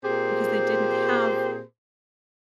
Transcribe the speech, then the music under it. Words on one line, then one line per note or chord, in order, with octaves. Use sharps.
because they didn't have
A#2 C4 G4 G#4 C5